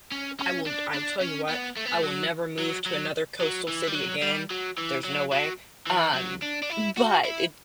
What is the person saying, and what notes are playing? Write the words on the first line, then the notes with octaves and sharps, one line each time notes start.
I won't I'll tell you what, I will never move to another coastal city again, there's no way, um, but, it
C#4
C#4
D4
D4
C#4
B3
A3
B3
A3
F#3
F#3
F#3
F#3
E3
G3
F#3
G3
F#3
E3
F#3
F#3
E3
F#3
D4
D4
E4
F#4
E4